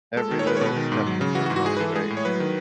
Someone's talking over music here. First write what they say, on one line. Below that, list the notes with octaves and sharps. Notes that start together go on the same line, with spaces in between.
Every little step that's involved, right?
G#3 A4
D#3
C#5
G#3 B4
C#5
B2 B4
D#3
G#2
F#3
C#3
E3 F#4
F#4
G#2
F#4
G#3 G#4
B4
E3 A4
G#3 G#4
A2
C#5
F#3 B4
D#3